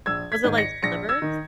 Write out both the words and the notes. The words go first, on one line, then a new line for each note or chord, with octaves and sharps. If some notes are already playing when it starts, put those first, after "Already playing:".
Was it, like, slivers?
A#1 E6 G#6
G#6 B6
G#2 D#3
A#6 C#7
A#1 A#6 C#7
E6 G#6
D#3